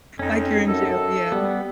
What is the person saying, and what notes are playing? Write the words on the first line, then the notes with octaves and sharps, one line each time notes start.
Like you're in jail, yeah.
F2 C#4 D#4
F#2 A4
G3 B3